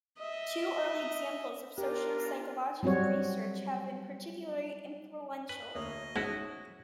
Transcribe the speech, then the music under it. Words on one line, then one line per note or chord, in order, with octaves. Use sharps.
Two early examples of social psychological research have been particularly influential.
D#5 E5
B3 D4 F4 G4 A#4
F#3 G3 C4 F#4 C#5
B4
D2 A#3 C#5 D#5
G#2 C#4 E4 F#4